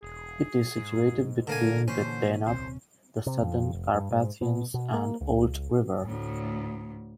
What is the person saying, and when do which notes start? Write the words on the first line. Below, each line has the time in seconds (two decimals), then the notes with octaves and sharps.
It is situated between the Danube, the Southern Carpathians and the Olt river.
0.03 E1 G#4
0.77 G#2
1.47 D3 A#3 A#4 G#5
1.88 A#2 D3 E3 C#4 C5
2.46 D#1 C2 C3 C5
3.26 C3
3.42 F2
3.73 F1
3.95 G2
4.11 G#2
4.41 B2
4.74 B2
4.94 A#3
5.21 C#2
6.06 D2 A2